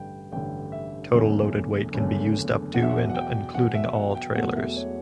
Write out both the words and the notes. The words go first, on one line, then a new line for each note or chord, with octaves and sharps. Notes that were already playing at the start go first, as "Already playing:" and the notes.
Total loaded weight can be up to and including all trailers.
Already playing: A1 G2 D3 G5
A1 G2 D3 G5
E5
F#1 E2 D3 A3 C#4
F#1 E2 D3 A3 C#4
E2 B2 F#3 F#5
E5
F#5
F#5
G5
E2 B2 F#3 F#5
E5
F#5
G5
E1 E2 B2 F#3 A3 F#5
E5
C#5